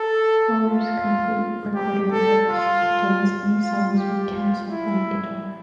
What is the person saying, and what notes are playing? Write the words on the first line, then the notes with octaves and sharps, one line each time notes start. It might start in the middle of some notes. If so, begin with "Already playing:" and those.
Fuller's "Complete Recorded Works" contains many songs with Council playing guitar.
Already playing: A4
F4
G4
A4
F4
F4
G4
F4
E4